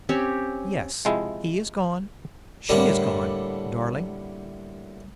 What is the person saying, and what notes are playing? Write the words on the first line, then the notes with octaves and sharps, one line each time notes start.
'Yes, he is gone--she is gone, darling.
C4 C#4 G4 C#5
C3 F3 G#3 E4
A2 D3 G3 A#3 B3 D4